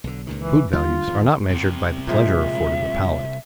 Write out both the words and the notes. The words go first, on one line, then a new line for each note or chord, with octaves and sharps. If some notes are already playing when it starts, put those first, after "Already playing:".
Food values are not measured by the pleasure afforded the palate.
B1 D3
C#2 A#2 D#3
E3
D3 G3 A#3 F4
E2 G2 D#3
C2 C3
A#2 F3 G#3 E5